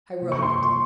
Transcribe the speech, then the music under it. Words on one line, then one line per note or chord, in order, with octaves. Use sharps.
I wrote it.
C3 F3 A#3 F4
C#6
C6
C#6